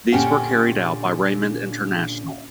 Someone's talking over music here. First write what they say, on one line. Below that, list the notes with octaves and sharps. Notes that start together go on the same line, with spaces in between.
These were carried out by Raymond International.
A#2 D3 C#4 G4 F#5 G5